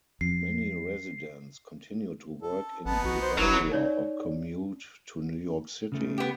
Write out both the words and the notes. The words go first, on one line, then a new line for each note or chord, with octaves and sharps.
Many residents continue to work in the area or commute to New York City.
F2 C7
A4
G#1 B3 D#4 A5
B1 F#4
C5
F#1 F#3 E4
D#4 C#5 D5
C#3 A3
B3 G4